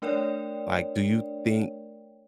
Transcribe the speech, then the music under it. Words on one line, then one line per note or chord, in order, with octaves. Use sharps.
like, do you think
A3 D4 A#4 C#5 D5 G5